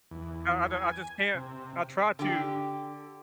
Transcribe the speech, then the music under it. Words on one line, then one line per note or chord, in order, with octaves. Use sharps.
I I I just can't I try to
E2
G#5
C3
D3 G4